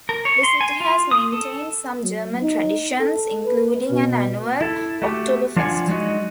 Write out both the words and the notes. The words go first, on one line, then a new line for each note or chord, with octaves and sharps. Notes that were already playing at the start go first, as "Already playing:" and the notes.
The city has maintained some German traditions, including an annual Oktoberfest.
A#4
C#5
C6
G#5
F4
D#6
A4
F#3
D#4
A4
B4
B2
E4 A4
A3 F#4 G4
F3 D4 F4 D5 F#5 G#5
F#3 G#3 D#4 F#4 D#5